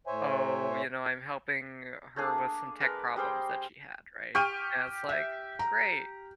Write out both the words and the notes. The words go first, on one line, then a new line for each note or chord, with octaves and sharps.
oh, you know, I'm helping her with some tech problems that she had, right, and it's, like, great,
A2 C5 C#5 E5 G#5
A3 A#3 D4 G#4
G#3 A#4 B4
G3 G#4 C5 G5
G4 C#6 F6 D#7
E5
A#5